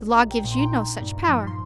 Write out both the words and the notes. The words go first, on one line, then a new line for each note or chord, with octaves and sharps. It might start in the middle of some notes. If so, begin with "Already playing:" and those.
The law gives you no such power.
Already playing: A#1
A#5
A#1
G5
A#2
C6
A#5
G5
D#4 A#5
G2
F3
C6